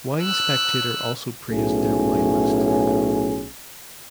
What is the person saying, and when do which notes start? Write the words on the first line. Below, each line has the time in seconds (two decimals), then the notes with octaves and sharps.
Wine Spectator also praised their wine list.
0.22 E6 F#6
1.49 B1 A2 C#4 G#4